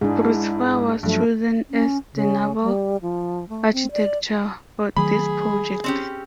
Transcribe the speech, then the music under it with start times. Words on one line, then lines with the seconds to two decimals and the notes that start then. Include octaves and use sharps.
Bruce Farr was chosen as the naval architecture for this project.
0.01 G#2 D4 E4 G#4
1.03 G2 F3 F#3 A3
1.70 C#4
2.14 C#3
2.62 G3
3.02 F3
3.49 A3
3.72 C4
3.92 D5
4.97 D#3 F#3 A3 G#4 B5
5.84 C4 C#4 G4